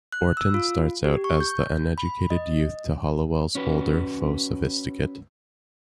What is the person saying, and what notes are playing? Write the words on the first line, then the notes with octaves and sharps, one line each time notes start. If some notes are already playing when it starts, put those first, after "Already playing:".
Orton starts out as the uneducated youth to Halliwell's older faux-sophisticate.
F#6
E6
F4
G4
C#6
G6
B5
D#5
C#4 F#4 B4